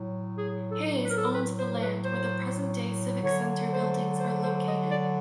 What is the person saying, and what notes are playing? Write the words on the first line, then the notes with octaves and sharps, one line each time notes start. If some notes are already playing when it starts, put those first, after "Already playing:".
Hayes owned the land where the present day Civic Center buildings are located.
Already playing: A2 F#3
G#4
A4
B4
A#4
A4
A#4
B4
C5
B4
C5
D3 F#3 C#5
C5
C5
C5
D#5
D5